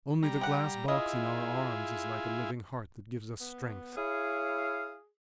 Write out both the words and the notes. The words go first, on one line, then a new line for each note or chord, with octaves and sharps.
Only the glass box in our arms is like a living heart that gives us strength.
G3 A#5
G4 F#5
E4 F4 G#4 D#5
B3
E4 G#4 C#5 F5